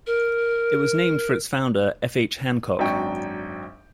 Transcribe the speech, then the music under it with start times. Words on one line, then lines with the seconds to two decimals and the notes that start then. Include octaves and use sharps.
It was named for its founder, F. H. Hancock.
0.07 A#4
2.79 G#1 F#2 D4 G5 C#6